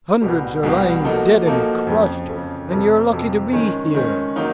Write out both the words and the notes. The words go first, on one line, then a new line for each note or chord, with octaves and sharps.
Hundreds are lying dead and crushed; and you are lucky to be here.
C2 B2 G3
C2 B2 G3
F3 A#3 D#4 F#4 A4
F3 A#3 D#4 F#4 A4
F2 C#3 F3
F2 C#3 F3
F2 C3 F3
F2 C3 F3
D#3 G#3 C#4
D#3 G#3 C#4
D#3 F#3 A#3 D#4